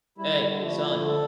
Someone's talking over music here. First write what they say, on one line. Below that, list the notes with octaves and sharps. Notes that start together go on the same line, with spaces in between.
"Hey, son,
G3 E4
D3
D3
F3 A3
E4
D3
A4